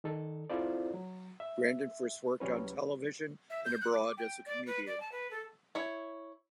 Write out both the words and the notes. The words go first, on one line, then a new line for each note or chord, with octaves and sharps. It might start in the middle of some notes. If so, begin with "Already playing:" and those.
Brandon first worked on television and abroad as a comedian.
D#3 A4
C4 E4 F4 A4 C5 D5
F#3
E5
C2 F#3 G3 C#4 B4
E5
G6
F#6
D6
G5
D5
B4
D5
A5
B4
A4
E4 C#5